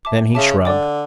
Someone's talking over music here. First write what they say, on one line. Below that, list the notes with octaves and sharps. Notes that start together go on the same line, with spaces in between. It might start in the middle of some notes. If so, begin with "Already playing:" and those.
Then he shrugged.
E5 A5 D6
C#3 E5 A5 D6
D3 D5 G5 D6